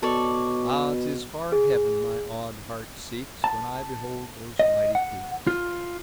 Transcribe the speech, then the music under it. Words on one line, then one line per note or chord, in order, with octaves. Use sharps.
Ah, 'tis far heaven my awed heart seeks When I behold those mighty peaks.
B2 A4 C#5 D5
G#4
A5
D#5
F#5
F4